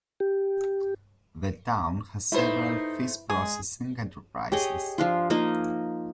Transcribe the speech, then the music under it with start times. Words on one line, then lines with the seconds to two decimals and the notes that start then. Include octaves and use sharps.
The town has several fish processing enterprises.
0.20 G4
2.32 A3 D#4 E4 B4 C5
3.30 G#3 G#4
4.52 G4 G#4 C#5 D#5
4.98 F3 D4 F4
5.30 F3 A#3 D#4 D#5